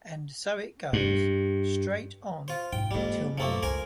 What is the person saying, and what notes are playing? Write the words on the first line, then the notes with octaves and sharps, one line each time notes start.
And so it goes, straight on till morning.
G2
F4 C5
G#2 G5
F2 G3 G#3 A#3
F#2 F3 A3 A#3
C#2 A#4 C5 G#5